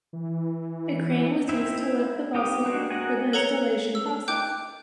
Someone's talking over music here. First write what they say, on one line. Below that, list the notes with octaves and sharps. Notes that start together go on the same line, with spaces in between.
A crane was used to lift the bustle for the installation process.
E3
C4 D#4 E4 E5
C4 D#4 G4 D6 D#6
G#3 A#3 D4 F#4
F#4 A#4 D#5 F#5 G#5
A4 B4 C#5 A#5 C#7 G7
E6
G5 D6 F#6 G6